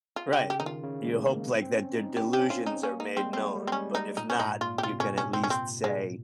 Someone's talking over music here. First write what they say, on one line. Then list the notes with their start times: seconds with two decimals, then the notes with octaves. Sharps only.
Right. You hope like that the delusions are made known, but if not, you can at least say,
0.16 F4
0.33 G4
0.38 C#3
0.50 G4
0.60 D#3 D#4
0.66 F4
0.83 C#3
1.05 G#3
1.27 A#3
1.50 C4
1.62 C4
1.72 C#4
1.94 D#4
2.17 C#4 G4
2.33 G4
2.39 C#4
2.50 C4 F4
2.66 D#4
2.83 A#3 C#4
3.00 D#4
3.17 G3 C4
3.26 G#3
3.33 G3 C4
3.46 G#3
3.55 G3
3.65 G#3 C4
3.72 G3 C#4
3.95 D#4
4.17 A#2 D#4
4.30 C#4
4.39 G#2 D#4
4.61 A#2 F4
4.78 G4
4.83 C3 F4
5.00 C#4
5.18 C#4
5.33 C4
5.43 C#4
5.50 C4
5.84 G#3